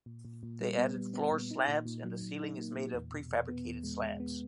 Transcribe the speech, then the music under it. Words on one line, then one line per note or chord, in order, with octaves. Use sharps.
They added floor slabs and the ceiling is made up of prefabricated slabs.
A#2
A#2
A#2
G3
B3
G3
B3
A#2
D#4
A#2
A#2
F#3
A#2
D#4
A#3
A#2
E2
B2
E2
B3
E2
G#3
G#3
B3